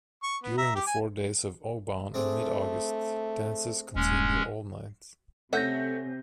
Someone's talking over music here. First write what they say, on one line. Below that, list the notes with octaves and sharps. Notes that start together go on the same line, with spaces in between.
During the four days of Obon in mid-August, dances continue all night.
C#6
B3
E5 A#5
G4 D6
G#5
A3 C4 D4 G#4
D#1 G#3 C#4
C3 A3 C#4 E5 F#5 G6 A#6